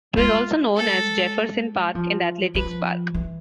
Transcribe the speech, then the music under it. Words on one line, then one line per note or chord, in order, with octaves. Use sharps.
It was also known as Jefferson Park and Athletics Park.
G#3 F4
A4
F3
F3 B4
E3